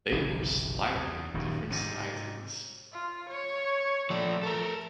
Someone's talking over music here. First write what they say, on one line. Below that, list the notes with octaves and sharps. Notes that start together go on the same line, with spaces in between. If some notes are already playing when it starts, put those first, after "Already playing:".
They were slightly different sizes.
F#1 B1 C3 E3
E2
D#1 F#2 D#3
G#2 C3
F4
C#5
F3 A3 D5
A4 A#4